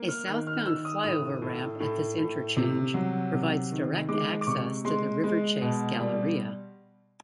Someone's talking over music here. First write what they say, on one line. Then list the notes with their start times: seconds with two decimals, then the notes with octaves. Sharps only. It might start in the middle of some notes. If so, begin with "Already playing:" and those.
A southbound flyover ramp at this interchange provides direct access to the Riverchase Galleria.
Already playing: A#3
0.08 F6
0.27 D#3 F#6
0.47 F6
0.66 D#3 E6
0.85 D#6
1.03 A2 D#6
1.42 A2
1.80 A2
2.18 A2
2.57 C3
2.94 F#3
3.33 C3
3.71 D#3
4.09 G#3 D6
4.41 D6
4.47 C3 C#6
4.85 G#3 C6
5.24 G#3
5.61 B2
5.99 G3